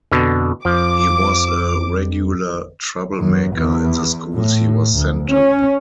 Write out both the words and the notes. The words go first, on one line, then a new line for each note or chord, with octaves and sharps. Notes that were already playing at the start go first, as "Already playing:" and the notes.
He was a regular troublemaker in the schools he was sent to.
F2 B2 D3
F2 F3 D6
F#2
E2
A2
D2
C#4